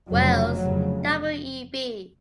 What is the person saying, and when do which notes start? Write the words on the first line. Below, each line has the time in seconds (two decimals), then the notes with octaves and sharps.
Wells, W. E. B.
0.11 F1 F2 C#3 F#3
0.61 F1 F2 C#3